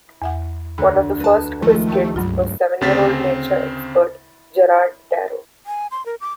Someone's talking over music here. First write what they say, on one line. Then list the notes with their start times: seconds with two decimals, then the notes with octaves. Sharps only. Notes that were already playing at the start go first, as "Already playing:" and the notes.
One of the first Quiz Kids was seven-year-old nature expert Gerard Darrow.
0.22 E2 E5 F#5
0.78 D2 B5
1.20 B4 A5
1.62 D#3 F3 G#3 A3
1.92 G4 G5
2.16 C#2 G2 F#3 F4
2.81 D2 C#3 C4 A6 B6
5.66 G#5
5.91 C6
6.06 A#4
6.21 D6